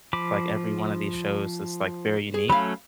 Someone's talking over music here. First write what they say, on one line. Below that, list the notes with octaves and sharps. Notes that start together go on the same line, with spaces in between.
to, like, every one of these shows is, like, very unique.
F3 B5 D6
G#4
F#3 A3 C#4 F5 B5